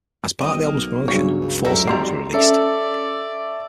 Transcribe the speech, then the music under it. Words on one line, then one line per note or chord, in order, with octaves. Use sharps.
As part of the album's promotion, four singles were released.
G1 C4 D#5
B1 A#3
G2 C#3 F#3 C#5
C#2
C#2 F#2 D4 E4 A4 A#4
G#1 F#3 G3 A#5 C6 C7
C#4 A4 C#5 D5 E5